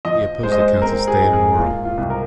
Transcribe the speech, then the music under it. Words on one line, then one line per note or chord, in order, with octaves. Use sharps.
He opposed the counts of Stade and Werl.
F3 D#5
G#3 C5
D#5
C5
C4 A#4
G#4
G#2
G#4
A#3 F4
F4
C2
A#4